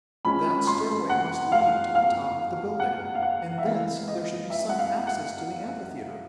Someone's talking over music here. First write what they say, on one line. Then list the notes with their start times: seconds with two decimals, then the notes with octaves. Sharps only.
That stairway must lead to the top of the building, and thence there should be some access to the amphitheatre.
0.25 F3 G#3 C#4 B5
0.67 C6
1.09 F#5
1.52 F5
1.95 F5
2.80 F#5
3.15 F5
3.22 F#5
3.58 E5
3.65 E3 G#3 B3 F5
4.08 D#5
4.50 E5
4.69 F#5
4.79 F5
5.07 F#5